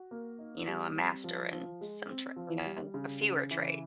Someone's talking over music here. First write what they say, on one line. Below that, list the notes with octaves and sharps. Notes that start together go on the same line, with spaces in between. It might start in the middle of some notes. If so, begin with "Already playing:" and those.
you know, a master in some tra you know, a fewer trade.
Already playing: F#4
A#3
D#4
G3
C4
F3
F3
G#3
C4
F3
G3
C#3
C#3
E3